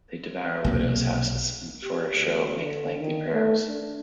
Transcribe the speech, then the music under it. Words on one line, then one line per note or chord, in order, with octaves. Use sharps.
They devour widows' houses and for a show make lengthy prayers.
B1 C3 A#3
G4
D2
D3
D#3
A3
D4